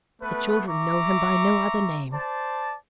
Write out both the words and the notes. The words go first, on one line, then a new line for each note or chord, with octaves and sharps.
The children know him by no other name.
A3 B3 B4
E5 A#5 C#6 D6
C5 D5 A5